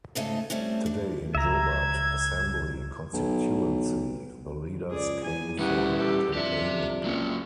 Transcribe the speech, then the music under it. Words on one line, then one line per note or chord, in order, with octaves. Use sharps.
Today in Jobat assembly constituency the leaders came for campaigning.
D2 G#2 C#3 A3 D#4 A5
G3 A3 C4 C#4
D4
C#2 E5 A#5 G#6
B1
C#2 G#4 D5
E2 G#5
E3 G3 C#4 G4 F#5
G4 A4
F2 D4 G4 E5
C#2 F#3 A#3 C#4